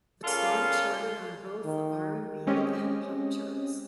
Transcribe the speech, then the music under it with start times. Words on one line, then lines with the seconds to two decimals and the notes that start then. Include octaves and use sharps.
The song charted on both the R and B and pop charts.
0.24 A#2 C#3 A#3 F4 A4 F5
1.65 D#3
2.47 G#3 C4 C#4 G4 D#5